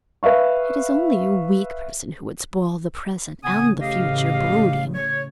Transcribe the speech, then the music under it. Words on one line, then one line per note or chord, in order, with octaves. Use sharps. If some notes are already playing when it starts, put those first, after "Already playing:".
It is only a weak person who would spoil the present and the future, brooding.
B4 E5 F5 C#6
A1 C#3 B3 G#5 D#6
G4 D#5 F5
C#5